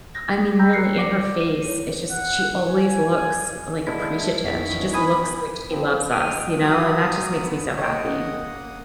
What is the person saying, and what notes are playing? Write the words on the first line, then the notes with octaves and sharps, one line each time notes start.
I mean, really, in her face, it's just she always looks, l like, appreciative. She just looks like she loves us, you know, and that just makes me so happy.
A#6
G5 A#5 B5 E6 G6 A#6
A#4 F#6 C7 C#7
D5 D6 A#6
D#7 E7
E4 C#5
F#5
G#5
D3 G#3 E4 A5
F2 D#3 B3 C#4 B6
G#5 B5 D#6 G#6
F3 C4
D#5 G5 F6
F#3 G4 B4 F5 D#6
B3
A#3 C#5 D#5 F#5 G5 D#6